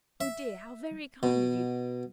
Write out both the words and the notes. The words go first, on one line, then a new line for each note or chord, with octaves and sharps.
Oh dear, how very kind of you!
E5
B2